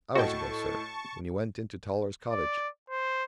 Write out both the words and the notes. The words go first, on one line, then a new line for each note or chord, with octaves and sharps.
"Hours ago, sir--when you went into Toller's cottage."
A2 F#4 D#5 G5 A5 C#6
D5
C5